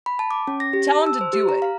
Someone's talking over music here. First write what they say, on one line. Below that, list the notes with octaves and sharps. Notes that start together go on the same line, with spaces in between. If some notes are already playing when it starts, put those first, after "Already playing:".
"Tell them to do it."
B5
A5
D6
C#4
A#6
G4
A5
E6
C5
G4
A#5
F5